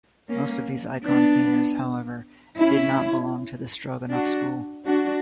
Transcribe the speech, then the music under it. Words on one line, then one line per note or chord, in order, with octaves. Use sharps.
Most of these icon painters, however, did not belong to the Stroganov School.
A#3 C#4
B3 D4
C#4 E4
D4 F#4
D4 F#4